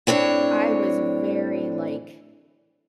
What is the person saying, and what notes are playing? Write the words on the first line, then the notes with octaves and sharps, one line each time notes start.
I was very, like,
A2 C4 D4 C#5